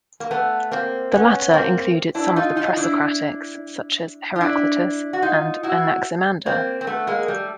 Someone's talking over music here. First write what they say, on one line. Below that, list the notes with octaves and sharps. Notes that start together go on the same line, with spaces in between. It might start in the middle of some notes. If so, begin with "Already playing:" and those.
The latter included some of the Presocratics, such as Heraclitus and Anaximander.
A#3
A3 B3
A#3 C4
B3 C#4
A#3 C4
D4 E4
D#4 F4
D#4 F4
D4 E4
F4
D4 E4
F#4
D#4 F4
E4 F#4
A#3 C4
C4
A3 B3
G#3 A#3
G3 A3